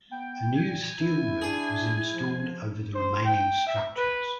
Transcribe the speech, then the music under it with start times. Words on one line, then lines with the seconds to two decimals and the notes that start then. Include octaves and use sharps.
A new steel roof was installed over the remaining structures.
0.11 B3 G5
0.57 A#2 G#5
1.00 E4 B4
1.42 D4 G#4
2.10 F3
2.95 C5
3.25 G5
3.67 E5
3.96 B4